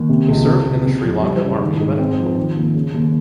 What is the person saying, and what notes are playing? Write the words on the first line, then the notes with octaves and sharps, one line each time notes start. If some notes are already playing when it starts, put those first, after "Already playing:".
He served in the Sri Lanka Army Medical Corps.
Already playing: D#2
C3
C#2
C3
C#2
C3
F2
G3
C#3
D#3
G#2
C4
F3
D#3
D#2
C#3
D#2